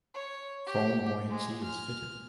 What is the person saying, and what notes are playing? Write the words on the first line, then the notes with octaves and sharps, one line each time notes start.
Foam buoyancy is fitted.
C#5
G4
G#3
F6